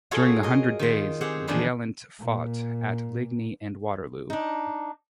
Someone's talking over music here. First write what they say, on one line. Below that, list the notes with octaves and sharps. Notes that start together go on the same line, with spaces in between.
During the Hundred Days Vaillant fought at Ligny and Waterloo.
F4 F#4 G#4 A4 C#5 F5
A#4 D#5
D#3 F4
C4 G4 G#4 F#5
E2 D#3 F3 D4 G#4 B4
A#2 A#3
D4 D#4